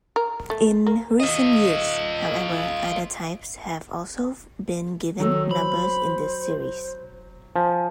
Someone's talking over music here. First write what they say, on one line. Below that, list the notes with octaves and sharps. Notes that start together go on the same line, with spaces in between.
In recent years, however, other types have also been given numbers in this series.
A#4
A3
A#3
F4 D#5
D#3 F#3 A4
C5 B5
F3 G#5